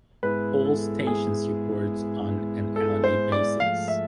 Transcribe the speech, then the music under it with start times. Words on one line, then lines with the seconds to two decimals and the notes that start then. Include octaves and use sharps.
All stations report on an hourly basis.
0.23 G#2 G#3 B3 E4 B4
0.65 A4
1.00 A4
1.07 G#4
2.76 A4
3.04 C5
3.32 D5
3.60 G#2 F3 A3 F5
3.88 E5